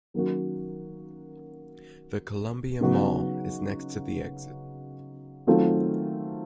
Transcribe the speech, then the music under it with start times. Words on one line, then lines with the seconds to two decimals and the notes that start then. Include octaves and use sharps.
The Columbia Mall is next to the exit.
0.14 D#3 F#3 A#3 C#4 F#4
2.81 C#3 F#3 B3 D#4 F#4
5.47 D#3 F#3 A3 C4 F4